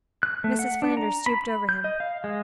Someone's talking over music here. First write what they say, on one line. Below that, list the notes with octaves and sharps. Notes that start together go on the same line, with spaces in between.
Mrs. Flanders stooped over him.
F#6
A3
F#5
D4
A#5
B5
B5
G6
D#5
F5
G#3